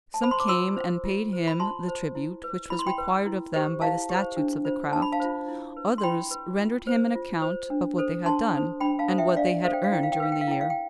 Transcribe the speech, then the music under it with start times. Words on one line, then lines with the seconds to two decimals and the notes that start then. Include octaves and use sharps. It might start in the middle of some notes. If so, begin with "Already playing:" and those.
Some came and paid him the tribute which was required of them by the statutes of the craft; others rendered him an account of what they had done, and what they had earned during the year.
0.14 A5
0.21 C5 B5
0.31 C6
0.40 D6
0.48 F4 C6 E6
0.76 C5
1.05 F4
1.33 C5
1.48 B5
1.60 F4 A5 C6
1.88 C5
2.15 E4
2.44 B4
2.70 E4 B5
2.79 C6
2.87 G5 B5
2.98 B4
3.27 E4
3.54 G4 C5
3.81 E4 F5 A5
4.10 G4 C5
4.37 D4
4.65 F4 C5
4.92 D4 A5
5.02 B5
5.12 F5 A5
5.20 F4 C5
5.48 E4
5.77 B4
5.98 C6
6.03 E4 G5 B5
6.31 B4
6.59 F4
6.87 C5
7.15 F4
7.42 C5
7.70 D4
7.98 A4 C5
8.25 D4 A5 C6
8.54 A4 C5
8.80 D4 G5 B5
8.99 F5 A5
9.08 A4 C5
9.18 E5 G5
9.36 D4 D5 F5
9.64 A4 C5 F5
9.73 G5
9.84 F5
9.92 E4 G5
10.03 F5
10.12 G5
10.20 B4 F5
10.32 G5
10.41 F5
10.48 E4 G5
10.61 F5
10.70 G5